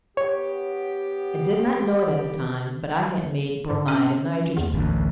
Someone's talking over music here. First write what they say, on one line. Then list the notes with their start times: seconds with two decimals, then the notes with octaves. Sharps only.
I did not know it at the time, but I had made bromide of nitrogen.
0.17 B3 G4 C#5
3.70 G#2
3.88 C#4
4.57 E2
4.74 A1 D2